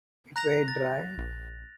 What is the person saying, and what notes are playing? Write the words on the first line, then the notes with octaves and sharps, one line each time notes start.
It weighed dry.
A#5 F#6 A#6 F7
A6
A#1